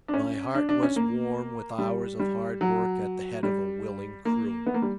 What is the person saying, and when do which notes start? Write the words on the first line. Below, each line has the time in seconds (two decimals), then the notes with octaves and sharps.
My heart was warm with hours of hard work at the head of a willing crew.
0.08 D4
0.14 C#4
0.55 D4
0.69 D4
0.83 C#4
0.96 A#3
1.79 G3
2.19 G3
2.61 F#3
3.43 G3
4.25 A#3
4.66 B3
4.74 A#3
4.82 G3